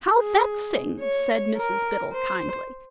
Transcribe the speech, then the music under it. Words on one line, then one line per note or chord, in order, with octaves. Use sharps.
How vexing!' said Mrs Biddle, kindly.
G#4
C#5
A#4
C5